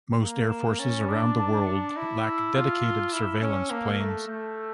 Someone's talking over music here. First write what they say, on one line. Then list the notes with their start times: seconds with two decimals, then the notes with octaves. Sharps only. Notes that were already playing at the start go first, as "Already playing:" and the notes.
Most air forces around the world lack dedicated surveillance planes.
0.21 A#3 A#5
0.50 E7
0.79 C#4 A6
1.09 D4 D6
1.37 A5
1.67 C#7
1.96 E4 A#6
2.25 E6
2.54 F4 F6
2.83 G7
3.12 E4 E7
3.41 C#4 C#7
3.71 A#3 A5
4.00 A3 A#6
4.28 A3 G6
4.58 E6